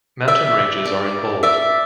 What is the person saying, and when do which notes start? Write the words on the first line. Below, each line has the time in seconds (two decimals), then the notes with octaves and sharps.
Mountain ranges are in bold.
0.28 D5 E5
0.85 D5
1.43 D5 E5